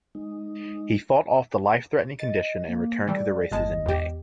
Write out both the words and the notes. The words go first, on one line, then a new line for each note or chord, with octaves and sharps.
He fought off the life-threatening condition and returned to the races in May.
G#3 D#4
D#5 A6
A#3
E3 G3 A3 D5
G1 G#3 D#5 A5
E2 G#2 G4